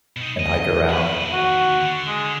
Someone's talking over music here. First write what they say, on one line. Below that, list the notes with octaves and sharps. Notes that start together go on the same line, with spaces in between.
and hike around.
B2 D#4
D#5
D#2 B4
F#4
D3
G#3